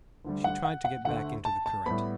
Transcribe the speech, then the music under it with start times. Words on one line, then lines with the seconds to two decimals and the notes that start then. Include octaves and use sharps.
She tried to get back into the current.
0.25 D2 D3 G3
0.44 F#5
0.65 F#5
0.85 F#5
1.05 D2 D3 A3 F#5
1.45 A5
1.66 A5
1.86 A2 G3 B3 B5